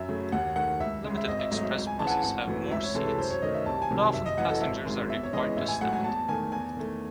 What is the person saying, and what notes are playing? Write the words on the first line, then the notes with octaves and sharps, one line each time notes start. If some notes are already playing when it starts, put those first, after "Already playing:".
Limited express buses have more seats, but often passengers are required to stand.
Already playing: F#2 E5
C#3 F#3 A3
D#2 F#5
D#3 A3 F#5
C#2 E5
C#3 G#3
E5
G#1 D#5
E5
G#2 F#3 A3 D#5
E5
C#2
G#5
C#3 E3 G#3 A5
F#5
G#5
G#1 F#5
F#2 E3 A3
C#2 E5
C#5
C3 E3 G#3 A4
A4
F#2 C5
C#5
D#3 A3 D#5
E5
C2 A5
G#5
C3 D#3 F#3
F#1 E5
D#5
F#2 E3 F#5
A4
G#1 E5
F#2 D#3 G#3
E2 E5
C#5
C#3 E3 G#3 D#5
A1 E5
G#5
G#2 F#3 A3 F#5
G#5
E2 A5
D#3 A3 G#5
E2 G#5
D#3 A3